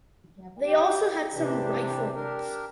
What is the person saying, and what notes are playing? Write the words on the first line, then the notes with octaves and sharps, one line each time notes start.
They also had some rifles.
G4
C3 E3 D4 G4
D4 G4 A#4